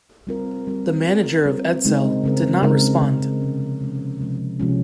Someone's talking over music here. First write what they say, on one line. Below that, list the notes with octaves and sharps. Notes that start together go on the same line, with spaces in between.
The manager of Edsel did not respond.
G3 C4 F4 A#4
G3 C4 F4 A#4
G3 C4 F4 A#4
G3 C4 F4 A#4
C#3 G#3 C4 D#4 A#4
C#3 G#3 C4 D#4 A#4
C#3 G#3 C4 D#4 A#4
C#3 G#3 C4 D#4 A#4
C3 F3 G#3 C#4
C3 F3 G#3 C#4
C3 F3 G#3 C#4
C3 F3 G#3 C#4